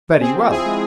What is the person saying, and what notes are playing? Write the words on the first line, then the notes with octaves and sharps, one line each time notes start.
Very well!
C4 G#4
F3
E4 G#4
G#3